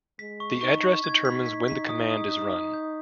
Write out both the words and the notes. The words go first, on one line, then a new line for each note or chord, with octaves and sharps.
The address determines when the command is run.
G#3 B6
C#6
D#4 C#6
C#6
D#4 G#6
B6
B6
B6
D#6
D#6
D#6
D#6
G6